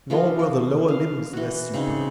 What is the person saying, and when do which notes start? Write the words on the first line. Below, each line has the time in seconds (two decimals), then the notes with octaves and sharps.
Nor were the lower limbs less superb.
0.10 E3 F3 F4 F#4
0.39 F3
0.88 F5
1.33 E3 F#4
1.74 C#3 C4 C#4 D#4